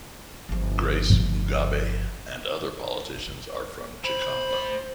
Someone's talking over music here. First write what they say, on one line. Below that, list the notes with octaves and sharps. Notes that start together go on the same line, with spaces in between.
Grace Mugabe and other politicians are from Chikomba.
G1 F3
A3 C5 B5